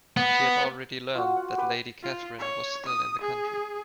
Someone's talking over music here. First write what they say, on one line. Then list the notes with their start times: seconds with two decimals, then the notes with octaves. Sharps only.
She had already learnt that Lady Catherine was still in the country.
0.17 B3
1.15 F4 F#4
1.36 F#5
1.58 G4 B4
2.03 F4
2.39 C#5
2.86 D#6
3.22 G#4